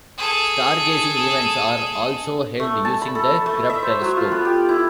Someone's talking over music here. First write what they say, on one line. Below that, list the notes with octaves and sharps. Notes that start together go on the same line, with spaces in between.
Stargazing events are also held using the Grubb telescope.
G#4 A4
A3
A5
B5
A4
A3
E5
C5
F#3
F4
B3
G4
E4